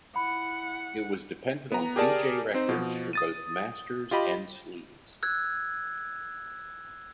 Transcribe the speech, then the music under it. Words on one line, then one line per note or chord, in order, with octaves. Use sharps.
It was dependent on Vee-Jay Records for both masters and sleeves.
E4 F#5 B5
B3 A#5
G4 G#4 A#4 D5 A5
C4 D#4 C5
B2 F3
D#6 A6 D#7
F4 G4 D#5 B5
E6 F#6 G#6